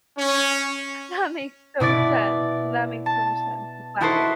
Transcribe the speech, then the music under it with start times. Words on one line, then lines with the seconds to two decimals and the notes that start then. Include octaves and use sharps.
That makes so sense. That makes so much sense. Wow.
0.18 C#4
1.80 B2 E4 D5 A6
3.06 A5
4.01 D#4 E4 F#4 A4 B4 C5